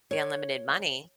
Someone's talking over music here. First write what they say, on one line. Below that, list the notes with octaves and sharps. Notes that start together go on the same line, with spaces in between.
The unlimited money,
C#5